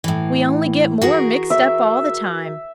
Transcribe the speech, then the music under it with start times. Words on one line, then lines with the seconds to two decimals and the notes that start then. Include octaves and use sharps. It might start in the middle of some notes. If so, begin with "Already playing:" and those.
We only get more mixed up all the time.
0.04 A2 E3
1.02 F#4 G#4 A#4
1.50 E5